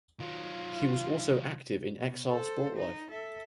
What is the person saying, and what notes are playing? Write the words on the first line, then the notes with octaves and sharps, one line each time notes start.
He was also active in exile sport life.
D#3 F#3 F4
B2
A4 C5
D#4
A4 E5